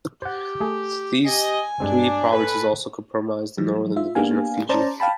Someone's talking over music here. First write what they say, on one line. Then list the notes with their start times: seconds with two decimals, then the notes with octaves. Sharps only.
These three provinces also comprise the Northern Division of Fiji.
0.22 G4 C5 F#5
0.60 A3 G#4
1.25 G4 D#5 G#5
1.80 G2 G#3 C4 D4
2.31 A4 B4
3.58 E3 F#3 G3
3.96 F4 E5
4.15 A#3 B3 D4 G4 F5 G#5
4.69 C#4 C5 D5 A5 A#5
5.00 F5 G5 A5 B5